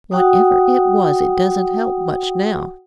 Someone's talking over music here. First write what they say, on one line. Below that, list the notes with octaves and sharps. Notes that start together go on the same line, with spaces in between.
Whatever it was, it doesn't help much now.
F#4 F#5 G5 D#6